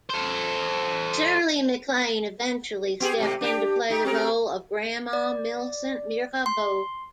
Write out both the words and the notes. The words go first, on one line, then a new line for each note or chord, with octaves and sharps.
Shirley MacLaine eventually stepped in to play the role of "Grandma Millicent Mirabeau".
A4 C5
B3 G4 G#4
G#2 C3 A3
D4 G4
D#4 G4
C4 G#4 A#4
D5
C6